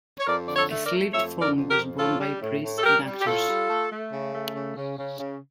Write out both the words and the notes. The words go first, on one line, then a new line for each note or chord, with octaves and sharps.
A sleeved form was worn by priests and actors.
C#5
F2 A#4 D5
D3 D5
A4 C#5
A3
A#4 D5
A3
F2 C#5 E5
D3
A#4 D5
F2
G4 A#4
F3
A2 F4 A4
G3
A2
A2
A4
G3 G4 A#4
G3
G4
A2 F4 A4
G3
A3
A3
C#3
A3
C#3
C#3
C#3
C#3